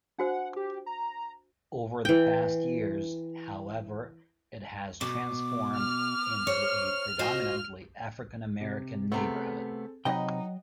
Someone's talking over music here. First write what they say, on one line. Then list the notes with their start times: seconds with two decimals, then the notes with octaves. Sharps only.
Over the past years, however, it has transformed into a predominantly African American neighborhood.
0.19 D4 F#4 C5 F#5
0.56 G4
0.86 A#5
2.05 E3 G5
5.01 B2 D6
5.76 F6
6.47 C5 C#5
7.19 F4 F#4 C5 D#5
8.61 C3
9.12 C3 A3 B3 C4 G#4 A4
10.05 C3 F#3 D#4 D#5 F#5 G5 A#5 B5